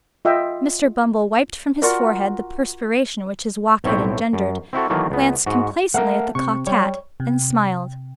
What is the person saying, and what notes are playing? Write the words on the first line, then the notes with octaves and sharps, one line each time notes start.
Mr. Bumble wiped from his forehead the perspiration which his walk had engendered, glanced complacently at the cocked hat, and smiled.
F4 D#5 E5 G5
F4 F#4 A#4 D5
B1 A2 C4 C#5 E5 G5
F#2
C4 E4 F#4 A4
D#3 E3 F#3 A3 A#3
C#2 B3
G#2 F#4
A3 A#4 F5 F#5
C3 C#6
G3 C#5
C3